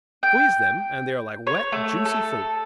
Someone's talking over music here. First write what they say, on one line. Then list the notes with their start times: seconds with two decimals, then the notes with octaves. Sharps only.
Squeeze them, and they are like wet, juicy fruit.
0.23 G5
1.47 C#5
1.72 A3
2.05 A4